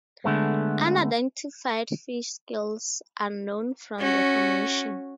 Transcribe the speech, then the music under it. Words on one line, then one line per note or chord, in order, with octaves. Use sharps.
Unidentified fish scales are known from the formation.
D3 G#3 A3 B3
C#4 F#4